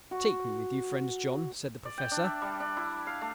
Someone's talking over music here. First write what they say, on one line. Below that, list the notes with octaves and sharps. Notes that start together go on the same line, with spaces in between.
"Take me with you, friend John," said the Professor.
F#4
D5
G5
D4
E5
G3
D4
E4
F5
A3